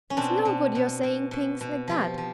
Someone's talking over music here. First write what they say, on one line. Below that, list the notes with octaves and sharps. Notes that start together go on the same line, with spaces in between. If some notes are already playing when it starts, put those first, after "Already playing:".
It's no good your saying things like that.
C#4
B2 C4 D4
B2
B2
B2
B2
B2
F3 F4 G4
F3